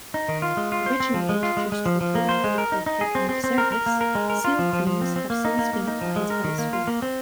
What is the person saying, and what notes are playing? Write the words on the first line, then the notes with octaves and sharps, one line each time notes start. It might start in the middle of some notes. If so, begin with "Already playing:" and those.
Originally introduced for road vehicle headlamp service, sealed beams have since been applied elsewhere.
D#4
D#3
F4
G#3
F4
C5
C4
F3
G#3
F4
G#3
G#3
F3
F3
A#3
C5
G#3
A#4
D#4
D#4
G#4
C4
C4
C4
A#4
A#4
A#3
A#4
G#3
A#4
F4
F3
F3
F3
C4
C4
A#3
D#4
A#3
A#3
D#4
F3
G#3
A#4
D#3
A#3
F4
A#3
C4